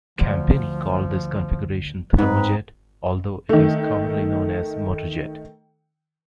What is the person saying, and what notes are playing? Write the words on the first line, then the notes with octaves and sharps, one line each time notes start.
Campini called this configuration "thermojet", although it is commonly known as "motorjet".
D2 F3
G#2 C4 D#4 B4
D#3 A3